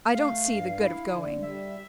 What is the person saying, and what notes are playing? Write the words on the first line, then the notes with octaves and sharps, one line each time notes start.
I don't see the good of going.
A3 F5
G2
E4
D3
G3 E5